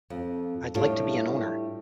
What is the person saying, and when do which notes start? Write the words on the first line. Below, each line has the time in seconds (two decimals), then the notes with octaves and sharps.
I'd like to be an owner.
0.10 F2
0.75 A2 G3 A3 D4 F4